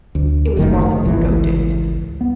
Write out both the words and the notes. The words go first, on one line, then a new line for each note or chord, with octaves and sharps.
It was more than Udo did.
D2
F#1 D#3 A3
G#1 C#2 E3
B3